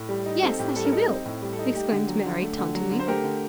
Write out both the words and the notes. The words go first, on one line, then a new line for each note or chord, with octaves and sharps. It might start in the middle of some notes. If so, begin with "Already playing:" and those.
"Yes, that he will!" exclaimed Mary, tauntingly.
Already playing: A2
G3
D#4
C4 A4
A2 G4
G3 A4
A#4
D#4 A4
C4
A2
G3
A4
D#4
A3 G4
D3
F#3
D3
A3
D3
F#3
D3
C5
A3 G4 A#4
D3